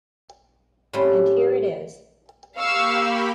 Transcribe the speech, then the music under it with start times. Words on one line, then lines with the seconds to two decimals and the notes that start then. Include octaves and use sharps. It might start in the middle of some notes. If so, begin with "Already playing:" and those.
And here it is.
0.93 A2 G3 A3 C4 C#4
2.58 A#3 G4 F5 B5 C#6 E6